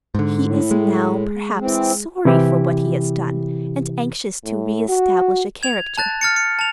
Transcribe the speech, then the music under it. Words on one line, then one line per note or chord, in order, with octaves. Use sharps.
He is now, perhaps, sorry for what he has done, and anxious to re-establish a character.
G#2 D3
A2
G#3
E3 C4
C3 E3 E4 G4
A2
F#4
G#6 F7
A5 F#6 A6
F6 A6 C#7
C#7
A5 F7